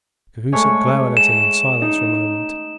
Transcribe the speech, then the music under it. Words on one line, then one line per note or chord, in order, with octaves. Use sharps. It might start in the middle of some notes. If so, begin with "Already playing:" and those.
Cahusac glowered at him in silence for a moment.
G#3 A3 C#5
E7
D#4